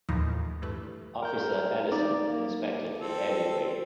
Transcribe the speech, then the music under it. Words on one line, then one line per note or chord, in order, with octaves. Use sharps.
Officer Ellison inspected the alleyway.
D#2 A2 E3 F3 D#4
G2 E3 A3 B4
A#4 G6
D#4 D5
A#3
C4 A4